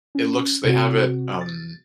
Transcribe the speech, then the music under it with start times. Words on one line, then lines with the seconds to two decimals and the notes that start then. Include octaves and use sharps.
it looks they have it, um
0.15 C#4
0.64 C3 C4 F#4
1.41 A6